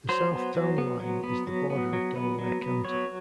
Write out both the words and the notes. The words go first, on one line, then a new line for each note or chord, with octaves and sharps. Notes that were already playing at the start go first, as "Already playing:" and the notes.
The south town line is the border of Delaware County.
F#3 C5
B3
F#3
B3
F#3
B3
F#3
B3
F#3
B3
F#3
B3
F#3 C#5